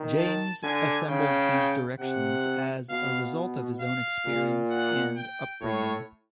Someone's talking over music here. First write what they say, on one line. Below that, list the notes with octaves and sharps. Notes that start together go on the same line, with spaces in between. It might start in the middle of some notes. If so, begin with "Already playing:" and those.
James assembled these directions as a result of his own experience and upbringing.
Already playing: D#3
A5
D3 G#5
C#3 G5
C3 F#5
B2 F5
F5
A#2
F#5
G5
A2 C#5